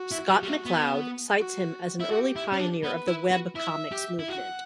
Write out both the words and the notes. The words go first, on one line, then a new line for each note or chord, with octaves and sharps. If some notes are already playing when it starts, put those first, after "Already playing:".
Scott McCloud cites him as an early pioneer of the webcomics movement.
Already playing: F#4
E4
G3
G3
A3
B3
F#4
E4
F#4 G4
E4
C#4
D4
B3 B4
E4
F#4
E4 E5
G4
E4
F#4 F#5